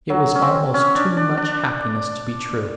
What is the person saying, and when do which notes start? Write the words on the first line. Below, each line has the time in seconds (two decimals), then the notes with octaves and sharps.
It was almost too much happiness to be true.
0.10 F#3
0.35 C#4
0.42 C4
0.74 C#4
0.95 D4
1.17 D4
1.37 D4